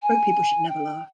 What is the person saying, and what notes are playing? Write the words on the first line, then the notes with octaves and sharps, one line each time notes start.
Broke people should never laugh!
G#5
G5